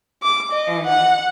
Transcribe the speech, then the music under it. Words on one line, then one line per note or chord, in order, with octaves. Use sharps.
and I,
D6
D#5
F#5